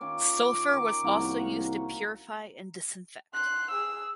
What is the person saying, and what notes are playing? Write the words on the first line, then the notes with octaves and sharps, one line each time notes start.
Sulphur was also used to purify and disinfect.
D#3 C#4 F4 D6
D#3
C2 A#3 F#4 A#5
F#5 C#6
C6 F#6
G#4 E6